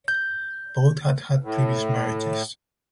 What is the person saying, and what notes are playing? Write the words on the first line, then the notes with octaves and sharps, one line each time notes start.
Both had had previous marriages.
G6
A2